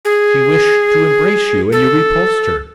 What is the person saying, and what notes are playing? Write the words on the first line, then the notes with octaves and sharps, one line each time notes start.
"She wished to embrace you, and you repulsed her."
G#4
A4